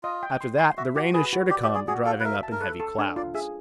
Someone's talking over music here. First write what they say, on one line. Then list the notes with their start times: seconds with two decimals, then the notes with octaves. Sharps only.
After that the rain is sure to come driving up in heavy clouds.
0.03 F4 D#5
0.23 G5
0.41 C6
0.59 C6
0.77 F#4 E5
0.95 F#4 G4
1.14 G#4 B4
1.33 F#4
1.50 G4 D5
1.63 G4
1.70 D5
1.75 G#4
1.88 F#4 G#4
2.06 A4 F5
2.20 B4
2.25 A#4 E5
2.43 A5
2.52 A#4
2.61 A4 B4
2.80 A4
2.98 D4 C#5
3.16 F4 D5
3.34 G#4 E5